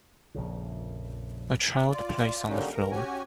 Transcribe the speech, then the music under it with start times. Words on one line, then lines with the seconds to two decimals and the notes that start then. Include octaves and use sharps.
A child plays on the floor.
0.34 A#1 F2 C#3
1.91 F4 D5
2.49 D3 F#3 G3 A#3 C#4 D#4
2.72 A#4
2.91 C#4 F#4 G4 G#5